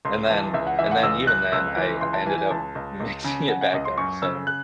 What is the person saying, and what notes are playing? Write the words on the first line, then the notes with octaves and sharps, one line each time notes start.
and then and then even then, I I ended up mixing it back up, so it
C#2 C6
E3 A5
C#2 E5
F#5
E3 E5
F#5
C#2 E6
C#2 F#6
C#2 E6
E3
C#2 C6
A5
E3 G#5
G#5
C#2 A5
C#2
C#2
C#3
C#3 F#5
F#5
C#2 D#5
C6
F#2 C#6
C#3 E6
F#6